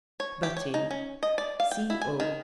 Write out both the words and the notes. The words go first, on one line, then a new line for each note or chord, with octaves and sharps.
Butt in. C.o.
C#5
G4
C#5
D#4
C#4
D#5
D5
F5
G5
E4
G#5
D#3